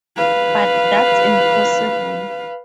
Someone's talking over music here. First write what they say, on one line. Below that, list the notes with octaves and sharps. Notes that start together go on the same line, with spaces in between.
But that's impossible!
B4 F5